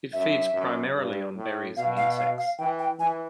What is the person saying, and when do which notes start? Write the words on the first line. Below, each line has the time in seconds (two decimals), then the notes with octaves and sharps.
It feeds primarily on berries and insects.
0.13 F#2 E5
0.54 F#2
0.95 G2
1.36 A2
1.76 B2 F5
1.97 F5
2.18 F5
2.38 F5
2.58 E3 G5
2.79 G5
2.99 E3 G#5